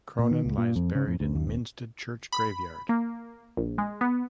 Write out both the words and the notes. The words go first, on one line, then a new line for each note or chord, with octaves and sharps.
Cronin lies buried in Minstead Church graveyard.
A#2
D#3
C#2
A#2
F2
C#3
F2
D2
D#2
D#1
B5
A#3
A#1
G#3
B3